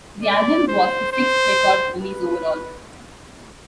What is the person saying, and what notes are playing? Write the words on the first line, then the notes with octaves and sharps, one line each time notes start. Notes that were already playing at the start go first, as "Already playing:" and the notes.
The album was his sixth record release overall.
D5
C5
C5
B4